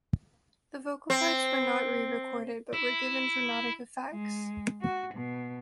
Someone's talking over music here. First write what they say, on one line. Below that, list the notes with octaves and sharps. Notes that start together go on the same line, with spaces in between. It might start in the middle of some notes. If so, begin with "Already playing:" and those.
The vocal parts were not re-recorded, but were given dramatic effects.
C4
E4
G#3
F#4
B2